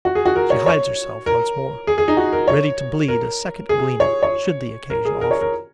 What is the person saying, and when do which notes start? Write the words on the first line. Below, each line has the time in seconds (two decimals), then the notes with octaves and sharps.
She hides herself once more, ready to bleed a second gleaner should the occasion offer.
0.05 F#4
0.15 G#4
0.26 F#4
0.36 A#4
0.50 C#5
0.66 C#5
1.26 A#4
1.87 G#4
1.98 G#4
2.08 D#4
2.17 F#4
2.33 A#4
2.48 C#5
3.08 A#4
3.69 G#4
4.00 C#5
4.23 C#5
4.90 A#4
5.05 G#4
5.21 A#4
5.31 C#5
5.41 A#4